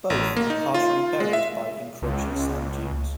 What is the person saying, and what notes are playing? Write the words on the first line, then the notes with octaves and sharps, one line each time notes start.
Both are partially buried by encroaching sand dunes.
A1
A#3
D#4
F4
G#3
E5
C#2